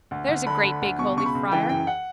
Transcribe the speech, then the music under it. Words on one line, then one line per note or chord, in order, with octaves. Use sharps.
There's a great big holy friar.
D2
D2
D3 B5
D2
D2
B2 C#6
C#2 C#6
B5
C#2
E3 G5
F#2 G5
F#5